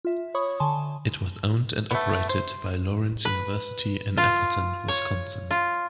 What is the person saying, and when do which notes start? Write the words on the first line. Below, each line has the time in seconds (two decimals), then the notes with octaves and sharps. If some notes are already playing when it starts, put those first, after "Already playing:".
It was owned and operated by Lawrence University in Appleton, Wisconsin.
0.05 F4 E5
0.34 C#5 B5 C#6 D#6
0.60 D3 G#5 A5 C6
1.91 A3 B3
2.29 C5
3.25 B4
4.17 F4
4.88 C#5
5.51 F4